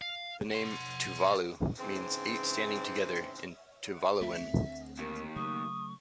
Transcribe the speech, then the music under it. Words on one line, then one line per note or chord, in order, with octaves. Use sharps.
The name, Tuvalu, means "eight standing together" in Tuvaluan.
F5
F#5 C6
G#2 C#3 E3 C4
D2 A3 C4 E5
D#2 A#4
C#3 F#3 A3 C#6 D#6